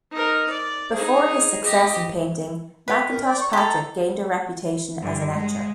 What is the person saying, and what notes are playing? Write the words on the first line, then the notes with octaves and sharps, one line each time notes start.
Before his success in painting, McIntosh Patrick gained a reputation as an etcher.
D#4 A#4
D5
D#4 G#4
G4 D#5
G4 B4
A#4
D5
C#6
G4 A4 A#5
G2 D3
G#3